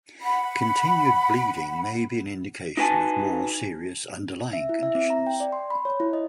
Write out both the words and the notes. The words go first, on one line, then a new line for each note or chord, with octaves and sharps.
Continued bleeding may be an indication of more serious underlying conditions.
F#5 B5
D#4 F#4 B4 G#5 A5
E5
E4
E5
C4
A#5
G5
D5
C6
B5
C#5
E4
D#5